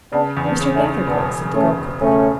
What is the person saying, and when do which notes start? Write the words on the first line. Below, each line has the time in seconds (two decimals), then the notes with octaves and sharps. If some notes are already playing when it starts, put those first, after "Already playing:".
"Mr. Gathercole," said the girl quickly.
0.12 C#3 B3 D4
0.37 E2
0.45 B3 D4
0.61 C#3
0.76 A3 C#4
0.84 C#3
1.07 E1 B3 D4
1.31 E2
1.55 E1 A3 C#4
1.78 E1
2.02 C#3 A3 C#4